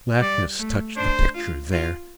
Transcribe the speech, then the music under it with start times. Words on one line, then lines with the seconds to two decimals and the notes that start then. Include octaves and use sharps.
Blackness touched the picture there.
0.20 G3 D5
0.59 A3
0.96 D4 C5
1.34 F4
1.72 F4